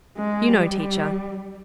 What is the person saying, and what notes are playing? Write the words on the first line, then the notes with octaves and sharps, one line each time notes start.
You know, teacher.
G#3
G3